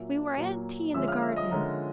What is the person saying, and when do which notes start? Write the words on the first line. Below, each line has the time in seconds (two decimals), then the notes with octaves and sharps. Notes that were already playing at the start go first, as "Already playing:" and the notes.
We were at tea in the garden.
Already playing: A#2 F#3 A#3 E5
0.36 A#2 F#3 A#3
0.94 D3 F3 G#3 C#4 E5 E6
1.08 F5 F6
1.22 E5 E6
1.36 D#5 D#6
1.51 D3 F3 G#3 C#4 A#4 A#5